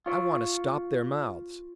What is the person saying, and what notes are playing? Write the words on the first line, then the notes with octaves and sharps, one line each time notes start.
"I want to stop their mouths."
F4 C#5